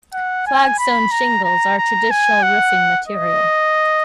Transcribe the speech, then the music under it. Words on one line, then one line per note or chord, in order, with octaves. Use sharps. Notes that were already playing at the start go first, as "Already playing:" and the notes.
Flagstone shingles are a traditional roofing material.
F#5
G#5
B5
A#5
A#5
A#5
G#5
F#5
D#5